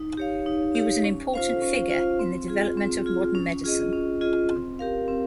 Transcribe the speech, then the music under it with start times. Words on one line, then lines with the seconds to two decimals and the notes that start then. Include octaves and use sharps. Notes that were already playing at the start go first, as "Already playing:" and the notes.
He was an important figure in the development of modern medicine.
Already playing: D#4
0.17 G4 C#5 F5
0.46 D#4
0.75 G4 C#5 F5
1.04 C#4
1.34 F4 C5 F5
1.62 C#4
1.90 F4 C5 F5
2.19 C4
2.48 F4 G#4
2.77 C4
3.06 F4 G#4
3.35 C#4
3.64 F4 G#4 D#5
3.93 C#4
4.21 F4 G#4 D#5
4.50 C4
4.79 G4 A#4 F5
5.08 C4